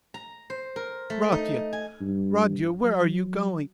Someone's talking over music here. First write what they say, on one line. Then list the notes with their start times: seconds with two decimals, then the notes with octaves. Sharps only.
Rodya, Rodya, where are you going?
0.14 A#5
0.50 C5
0.76 A#4
1.10 A3
1.32 D#4
1.73 G#5
2.01 G2
2.83 F#3